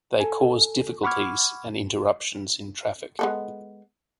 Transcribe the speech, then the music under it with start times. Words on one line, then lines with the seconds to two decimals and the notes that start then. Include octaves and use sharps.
They caused difficulties and interruptions in traffic.
0.20 A4 G#5
1.03 F#5 B5 C#6 D6 F6 G#6
3.19 G#3 B3 A4